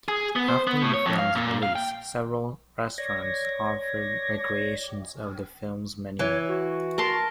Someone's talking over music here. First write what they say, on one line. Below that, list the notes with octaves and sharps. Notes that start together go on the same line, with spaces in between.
After the film's release, several restaurants offered recreations of the film's menu.
G#4
B3
C5
B3
A2
C#5
F2
F5
A#2
F5
G5
C#5 D5 G#6 A#6
E3 C#5
F#4
A#4 A5 C6